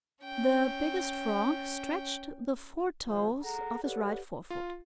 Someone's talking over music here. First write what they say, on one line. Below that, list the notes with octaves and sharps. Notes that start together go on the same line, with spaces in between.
The Biggest Frog stretched the four toes of his right forefoot.
C#4 G5
G#1 C3 F#3 F4 C5
G#4 A4 F#5 A#5
G4 A4 B4 C#5 D5 F#5
F4